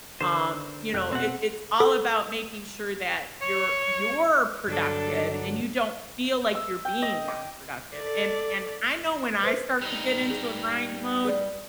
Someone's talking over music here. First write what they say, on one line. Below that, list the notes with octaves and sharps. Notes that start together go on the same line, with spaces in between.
um, you know, it it's all about making sure that you're you're productive, and you don't feel like you're being nonproductive, and and I know when I start to get into a grind mode,
D3 A#4 C5 E7
F1 F#6
B2 C4 F#5
A4
C#5
G2 D3 F#3 D4 A4
E6
G5
D#5
D6
A4 D5
B4 C5 E5
G3 D#4
G#4
G#4 D5